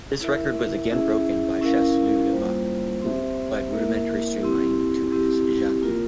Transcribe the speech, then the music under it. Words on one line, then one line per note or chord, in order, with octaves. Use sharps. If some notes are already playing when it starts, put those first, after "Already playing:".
This record was again broken by Chasseloup-Laubat, who applied rudimentary streamlining to his Jeantaud.
E4 A#4 E5
C#4 E4 G#4 E5
C#4 E4 A#4 F5
G3 A#3 F4 C5
C4 G4 C5 E5
A#3 E4 A#4 E5
C4 E4 G4
C4 E4 G4
A#3 F4 A#4